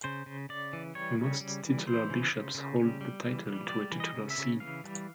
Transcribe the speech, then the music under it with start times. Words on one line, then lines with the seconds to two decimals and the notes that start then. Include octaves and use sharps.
Most titular bishops hold the title to a titular see.
0.04 C#3 C5
0.26 C#3
0.49 C#3 D5
0.73 E3
0.95 G3 C#5
1.18 C#3
1.41 G3
1.64 E3
1.87 E3 C5
2.10 C#3
2.32 C#3
2.55 C#3
2.78 G3
3.01 G3
3.23 E3
3.46 G3
3.69 G3 D5
3.92 E3
4.00 D#5
4.15 C#3
4.30 E5
4.38 C#3
4.60 E3 F5
4.84 G3